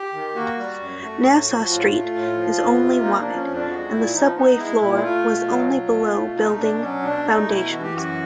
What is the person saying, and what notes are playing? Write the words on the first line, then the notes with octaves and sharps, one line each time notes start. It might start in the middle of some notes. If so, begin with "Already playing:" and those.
Nassau Street is only wide, and the subway floor was only below building foundations.
Already playing: G4
D#3
A#3 F#4
G3
F#2
A3
A2
F3
A2 F4
A3
A2
F3
F2
C3
A#3 D#4
D4
F3
C#4
F2
D4
G#3 F#4
A#2 E4
F3 D#4
B3 D#4
G#3 E4
A#2 E4
E4
A3 F4
B2
F#3
B2
A3
B2
A3 D#4
B2 D4
F#3 C#4
B2 D4
A3 D#4
B2 E4
E3 F#4
G4
F#2 F#4